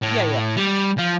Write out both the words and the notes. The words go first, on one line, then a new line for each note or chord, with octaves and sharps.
Yeah, yeah.
A2
G3
F3